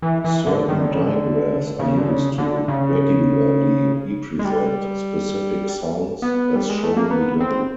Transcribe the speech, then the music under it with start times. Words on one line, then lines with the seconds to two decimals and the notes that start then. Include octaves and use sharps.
Certain digraphs are used to regularly represent specific sounds as shown below.
0.02 E3
0.25 E3
0.47 D3
0.69 D#3
0.80 D3
0.92 C#3
1.03 D3
1.79 C#3
1.98 D3
2.09 C#3
2.38 D3
2.68 C#3
4.39 G#3
4.45 G3
6.22 B3
6.56 G3
6.69 G#3
6.83 A3
6.97 A#3
7.11 B3
7.40 C4